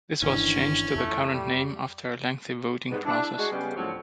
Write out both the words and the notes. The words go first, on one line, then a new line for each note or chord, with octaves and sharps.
This was changed to the current name after a lengthy voting process.
G1 D#3 E3 C#4 D4
F2 A3
G3
G#2 G3 B3
D4 E4
G#3 F#4
C#3 G3 B3
D2 A2 F3 F#3 C4 C#5